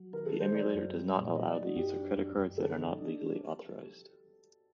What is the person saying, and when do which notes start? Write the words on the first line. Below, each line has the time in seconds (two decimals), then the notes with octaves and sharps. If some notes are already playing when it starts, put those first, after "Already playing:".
The emulator does not allow the use of credit cards that are not legally authorized.
Already playing: F#3
0.13 D#3 A#4
0.26 A4
0.34 F#3
0.40 C5
0.54 F#3 D5
0.74 F#2
0.94 G3
1.15 A#2
1.36 F#3 D#5
1.49 D5
1.56 D#4
1.63 F#4
1.76 F#2 G4
1.96 D4
2.17 F#2
2.37 F#2
2.57 D3 A4
2.78 D#4
2.98 D4